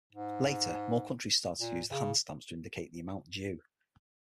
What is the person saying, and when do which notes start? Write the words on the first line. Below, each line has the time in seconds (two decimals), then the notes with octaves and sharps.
Later more countries started to use handstamps to indicate the amount due.
0.13 G#2
1.60 A#2
1.91 C#3